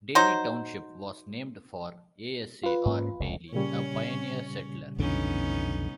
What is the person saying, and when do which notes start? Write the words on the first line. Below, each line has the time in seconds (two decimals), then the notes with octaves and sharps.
Dailey Township was named for Asa R. Dailey, a pioneer settler.
0.15 F#3 D#4 C5
2.63 F4 B4
2.85 G#2 A#3 C#4
3.19 F1 C#2
3.52 A#2 C#3 G3 C#4 C#5
4.98 B1 F2 D3 B3 C#4 D#4